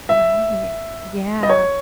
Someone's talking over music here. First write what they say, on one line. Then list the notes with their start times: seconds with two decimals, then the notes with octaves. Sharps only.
Right, yeah.
0.09 E5
1.43 D#5
1.50 C#5